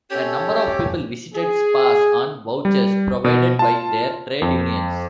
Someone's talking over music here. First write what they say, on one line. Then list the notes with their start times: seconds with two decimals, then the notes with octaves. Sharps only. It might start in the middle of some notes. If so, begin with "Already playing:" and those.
A number of people visited spas on vouchers provided by their trade unions.
0.10 C#4 G4 A4 C#5
1.35 G#4
2.65 G3
3.24 B2
3.59 F4 A5
4.42 F2